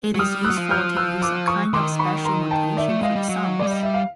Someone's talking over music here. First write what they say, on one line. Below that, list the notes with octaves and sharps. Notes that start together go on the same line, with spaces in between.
It is useful to use a kind of special notation for the sums.
F#3
G3 D#6 F6
E6 F#6
F#3
F3
F6 G6
E6 F#6
D6 E6
C#6 D#6
D#3 C6 D6
B5 C#6
A#5 C6
G5 A5
D5 E5
A3
G#3 D#5 F5
G3
F#3
G#3 D5
G3 D#5
E5
F5